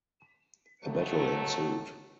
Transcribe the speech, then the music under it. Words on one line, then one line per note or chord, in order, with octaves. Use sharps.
A battle ensued.
D#2 F#3 A3